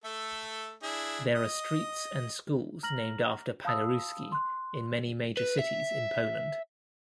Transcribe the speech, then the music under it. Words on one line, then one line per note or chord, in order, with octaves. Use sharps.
There are streets and schools named after Paderewski in many major cities in Poland.
A3 A4 E5
D4 E4 G#4
D#5
A#5 F6 A#6 F#7
F5 A5 B5 D#6 E6
C6 F#6
B4
E5